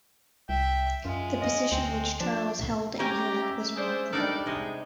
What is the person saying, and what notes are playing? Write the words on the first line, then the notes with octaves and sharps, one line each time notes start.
The position which Charles held in Europe was remarkable.
C2 E5 G5
F#2 G#3 F4
D#5
D2 C4
F3 D4
C#4 G4 G#5 A#5
E5
D4 G#4 C5
G3 D4 D#4 A4 A#4 D5
C3 G#3 D#5